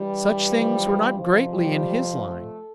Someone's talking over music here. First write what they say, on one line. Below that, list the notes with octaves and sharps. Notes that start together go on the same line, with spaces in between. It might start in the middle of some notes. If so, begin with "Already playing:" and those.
Such things were not greatly in his line.
Already playing: G2 E3 G3
F3 F4
F2 C3 F3
G3 G4
A3 A4